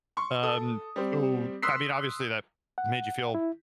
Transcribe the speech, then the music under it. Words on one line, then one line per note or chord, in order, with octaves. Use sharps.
Um, so, I mean, obviously that made you feel
C6 C#6
A4 D#6
G3 C4
C6 D#6 E6 F#6 B6 C7
F#5
E4